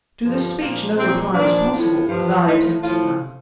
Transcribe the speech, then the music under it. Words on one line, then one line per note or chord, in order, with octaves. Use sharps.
To this speech no reply was possible, and I attempted none.
G2 D3 F3
A#2 F3 A#3
A#2 F3 C4
A#2 F3 D4
A2 F3
G2 F3
A2 F3 D#4
A2 F3 F4